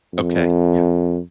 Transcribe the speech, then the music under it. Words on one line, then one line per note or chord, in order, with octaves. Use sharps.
Okay, yeah.
F2